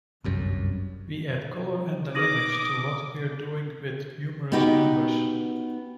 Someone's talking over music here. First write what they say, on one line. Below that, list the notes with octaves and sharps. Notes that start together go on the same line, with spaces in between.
We add color and dynamics to what we're doing with humorous numbers.
G1 C2 F#2
D#4 G#4 B4 D6 D#6 A#6 D#7 F#7
B3 C#4 D#4 F#4 G4 B4